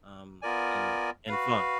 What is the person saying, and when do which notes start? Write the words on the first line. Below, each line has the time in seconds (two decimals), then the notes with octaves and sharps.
um, and and fun.
0.42 B3 F4 A#4 D5 G#5
1.28 F#4 B4 F5